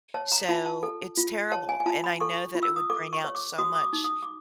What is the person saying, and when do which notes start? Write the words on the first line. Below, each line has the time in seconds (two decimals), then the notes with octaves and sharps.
So, it's terrible, and I know that it would bring out so much
0.14 C#5 A5
0.32 A#5
0.49 F4 A5
0.66 A5
0.83 A4
1.17 F4
1.52 C#5 A5
1.69 G#5
1.80 G#5
1.86 F4 A5
2.04 B5
2.20 A4 C#6
2.55 F4
2.63 E6
2.76 D#6
2.90 A4 D6
3.13 C#6
3.24 C#5
3.35 D6
3.58 F#4 D#6
3.75 D#6
3.81 D6
3.93 D#4
4.04 D#6
4.22 D6